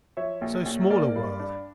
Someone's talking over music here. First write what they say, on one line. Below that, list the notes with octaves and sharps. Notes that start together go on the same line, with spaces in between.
So small a world!
F3 C#5 E5
A#1
A#1
A#3 D5
G2
D4